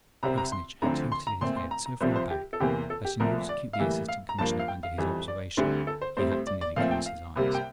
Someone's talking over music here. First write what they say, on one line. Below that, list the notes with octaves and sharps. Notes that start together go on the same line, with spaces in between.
The Personage had tilted his head so far back that, in order to keep the Assistant Commissioner under his observation, he had to nearly close his eyes.
C2 C3 G3 C4 A#5
A#5
C6
D2 D3 F3 C4 A#5
C6
A#5
A#2 A3 C4 C6
C6
A#5
A#5
C2 C3 F3 C4 C5
C5
G4
A4
E2 C3 E3 A#3 G4
A4
G4
C2 A#2 F3 A3 A#4
D5
F5
A2 E3 G3 A#3 E5
F5
A#5
G2 F3 A#3 A5
F5
G5
F5
F2 E3 G3
D5
D2 D3 G3 C4 C5
A4
C5
A2 G3 C4 C5
C5
D5
D5
A#2 F3 A3 C4 F5
G5
F5
C2 C3 G3 A#3
G5